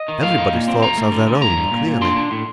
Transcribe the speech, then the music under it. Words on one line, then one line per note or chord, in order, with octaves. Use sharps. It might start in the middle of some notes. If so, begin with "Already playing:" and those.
Everybody's thoughts are their own, clearly.'
Already playing: D#5
D#3
A2 F5
D#4
A#2
C4
F2 A#5
A3
D3
D3
G2 A#5
G2
A#2
A#2
D4 C6
D4
A2